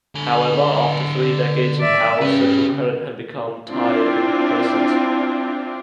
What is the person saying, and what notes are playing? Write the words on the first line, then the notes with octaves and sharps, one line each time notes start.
However, after three decades in power, Social Credit had become tired and complacent.
D3 B5
D5 E5
C#3 G4 B4
C4 D4 E4 F4